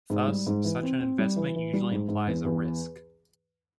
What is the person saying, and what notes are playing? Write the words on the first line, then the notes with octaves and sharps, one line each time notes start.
Thus, such an investment usually implies a risk.
G#2
G3
G#2
E3
C4
C4
G3
E3
E3
G3
G#2
G#2
E2
E2